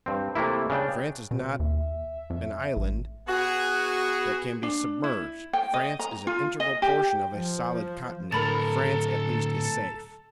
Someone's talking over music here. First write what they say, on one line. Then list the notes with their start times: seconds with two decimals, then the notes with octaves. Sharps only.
"France is not an island that can be submerged; France is an integral portion of a solid continent. France, at least, is safe."
0.06 G2 C4
0.35 C3 A3 A#3 E4
0.70 C#3 D4 G5
1.31 B2 C4 F#4
1.60 D#2 E5
2.30 F2
2.76 A1
3.28 B3 F#4 G#4
4.63 D4
5.04 E4
5.53 G5
5.74 D#5
5.99 A#5
6.27 F4
6.60 D#5
6.82 G4
7.35 F3
8.32 A2 D3 A4 A#4 A#5 B5 A6